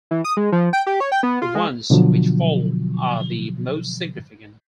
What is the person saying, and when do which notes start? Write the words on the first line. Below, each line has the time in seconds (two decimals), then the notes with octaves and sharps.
The ones which follow are the most significant.
0.11 E3
0.24 D#6
0.37 G#3
0.52 F3
0.73 G5
0.87 G4
1.00 C#5
1.12 G5
1.23 B3
1.42 F4
1.55 G#3
1.90 B2 D3 F3 F#3